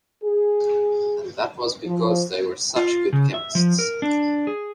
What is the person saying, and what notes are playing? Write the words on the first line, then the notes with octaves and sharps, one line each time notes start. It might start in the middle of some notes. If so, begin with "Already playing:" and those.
And that was because they were such good chemists.
G#4
F3
F4
C#3
E5
F3
A#4
D4
G#4